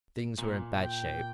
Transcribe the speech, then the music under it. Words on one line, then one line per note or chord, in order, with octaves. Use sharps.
Things were in bad shape.
A#2
G5